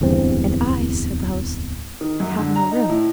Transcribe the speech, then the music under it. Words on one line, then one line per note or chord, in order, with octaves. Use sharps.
"And I," said the host, "have no room."
D1 E2 G2 C4
D#3
F#2
D3
A#5
D#4
A2